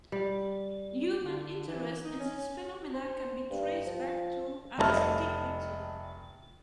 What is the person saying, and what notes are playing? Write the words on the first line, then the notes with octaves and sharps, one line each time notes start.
Human interest in these phenomena can be traced back to antiquity.
G3
D3
E3
D#4
C#4
C5
G2
F3
F1 G3 A3 D#5 A5 F6